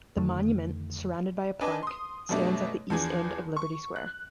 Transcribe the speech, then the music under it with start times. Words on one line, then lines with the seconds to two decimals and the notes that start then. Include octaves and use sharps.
The monument, surrounded by a park, stands at the east end of Liberty Square.
0.17 F2 D3 D#3 A3
1.61 D4 B4 D#5 G#5 A5
1.83 C6 D#6
2.29 F#2 B2 G3 A3 D4
2.90 E2 F3 D4 G#4
3.57 C#6
3.96 F#6